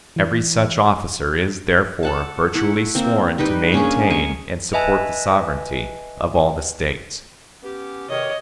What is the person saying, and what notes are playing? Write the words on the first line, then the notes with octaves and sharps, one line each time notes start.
Every such officer is, therefore, virtually sworn to maintain and support the sovereignty of all the States.
E3
A4 F#5 A5
A3 E4 F#5
A#3 C4
G3 D#4 B4 G5
A#3 C#4 D4 G#4
G#3 G#5 C#6
B4 D#5 E5 G#5 A5
B3 C#4 G4
E2 C3 D#3 C#5 D#5